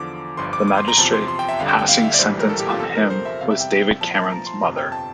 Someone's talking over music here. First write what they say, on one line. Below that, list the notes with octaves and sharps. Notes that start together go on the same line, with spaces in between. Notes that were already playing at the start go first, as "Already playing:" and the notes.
The magistrate passing sentence on him was David Cameron's mother.
Already playing: E2 D3 F3 D6
G1 G2 F3 C6
D6
D6
C6
A#5
E2 C3 F3 A5
C6
C6
G5
E5
G1 F2 D3 G3 F5
G5
G5
F5
E5
D5
A#1 A2 E3 G3 C5
A#4
A4
G4
F4
E2 C3 F3 A4
A#4
C5
E5
E2 C3 G3 F5
E5
G5
C2 A#2 F3 A5
A5
A#5
C6
G1 F2 C3 F3 A#5
G5
A5